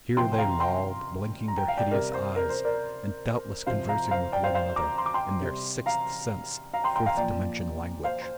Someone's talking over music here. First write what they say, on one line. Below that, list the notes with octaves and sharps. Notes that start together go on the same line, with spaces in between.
Here they lolled, blinking their hideous eyes, and doubtless conversing with one another in their sixth-sense-fourth-dimension language.
C3 F3 G5 C6
G5
F5 A#5
G5 C6
A#5
G5
F5
D5 G5
C3 G3 A#4 D5
C5
A#4
C5
A#4 D5
C3 F3 C5 F5
F5 A#5
C5 F5
D5 G5
C5 F5
C5 F5
A#5 D6
C6
D6
G5 C6
C3 G3
F5 A#5
F5 A#5
G5 C6
G5 C6
F5 A#5
A#2 F3 D5 G5
C5 F5
C5